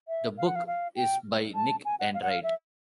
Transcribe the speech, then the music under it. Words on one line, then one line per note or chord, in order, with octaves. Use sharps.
The book is by Nick Enright.
E5
F5
F#5
F5
F5
G5
A5
G#5
F#5
F5
F#5
F5
E5